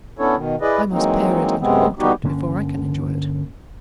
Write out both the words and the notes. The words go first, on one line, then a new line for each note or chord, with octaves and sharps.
I must pare it and quarter it before I can enjoy it.'
B3 C#4 D4 E4 A4 C#5
B2 D#3
E4 G#4 B4 D5 D#5
E3 F#3 G#3 A#3 C4 D#4
F#2 C3 G#3 B3 C4
G3 B3 D#4 F#4 G4
G1 D3 A#3 C#4